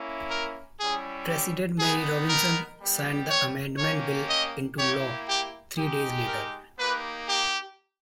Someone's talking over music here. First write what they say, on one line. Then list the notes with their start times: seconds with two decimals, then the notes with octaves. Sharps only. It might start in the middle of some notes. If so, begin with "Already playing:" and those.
President Mary Robinson signed the amendment bill into law three days later.
Already playing: A#3 C#4 E4
0.29 A#4
0.79 G3 C#4 E4 G#4
1.29 G4
1.79 B3 D#4 G4 G#4
2.29 A#4
2.79 G3 B3 G4
3.28 C#5
3.78 A#3 C#4 G4 C#5
4.28 D#5
4.78 A#3 E4 G4 C#5
5.27 G4
5.77 G#3 D#4 G4
6.27 A#4
6.77 A#3 D#4 G4 B4
7.26 G4